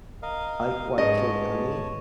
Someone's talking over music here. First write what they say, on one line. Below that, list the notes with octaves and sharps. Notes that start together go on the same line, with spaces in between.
I like to watch Kill Tony,
A#4 D#5 F5
G#2 C#4 G#4 B4 C#5 D#5 A5